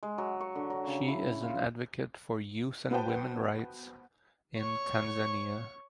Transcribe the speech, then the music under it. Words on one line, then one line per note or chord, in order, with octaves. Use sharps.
She is an advocate for youth and women rights in Tanzania.
G#3
F#3
C#6
D3
F#3
C#3
E4
F4
B3 F#4 B4 C5 G5 A5
C#5 C#6